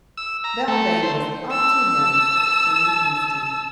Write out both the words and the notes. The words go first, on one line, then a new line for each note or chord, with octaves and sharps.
Belvane was up to him in an instant.
E6
A#5
A3
C5
A5 E6